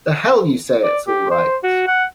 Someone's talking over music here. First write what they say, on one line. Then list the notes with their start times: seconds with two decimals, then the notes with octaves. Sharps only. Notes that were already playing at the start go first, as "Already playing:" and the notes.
The hell you say it's all right!
0.84 D5
1.08 G4
1.31 C5
1.64 F#4
1.88 F#5